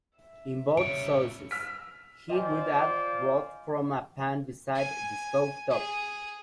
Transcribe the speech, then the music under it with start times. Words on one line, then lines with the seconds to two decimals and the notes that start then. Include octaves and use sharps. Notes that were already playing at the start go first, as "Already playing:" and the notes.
In both sauces, he would add broth from a pan beside the stove top.
0.18 E5
0.77 C#3 G3 C#5 D7
1.51 E6 F6 B6
2.29 F4 C5 D5 D#5 G5 G#5
4.75 G#5
5.70 G#4